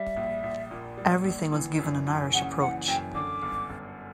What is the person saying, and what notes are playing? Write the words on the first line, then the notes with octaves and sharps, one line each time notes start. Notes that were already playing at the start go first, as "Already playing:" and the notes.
Everything was given an Irish approach.
Already playing: G3 E5
A#1
A#1
A#2
G3
A#1
E3
F#2
F#2
C#3 F#5
E3 F#5
F#2 G5
D3 D6
G1
G1